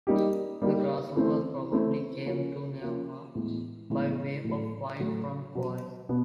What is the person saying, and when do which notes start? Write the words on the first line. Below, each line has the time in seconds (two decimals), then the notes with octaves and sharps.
The grasshoppers probably came to Nihoa by way of wind from Kauai.
0.07 G3 A#3 D#4 G4
0.62 G3 A#3 D#4 G4
1.16 E3 A3 C4 E4
1.71 E3 A3 C4 E4
2.26 F3 A#3 C#4 F#4
2.81 F3 A#3 C#4 F#4
3.35 A2 E3 G#3 B3 E4
3.90 A2 E3 G#3 B3 E4
4.45 A2 F#3 A3
5.00 A2 F#3 A3
5.55 B2 F#3 B3
6.09 B2 B3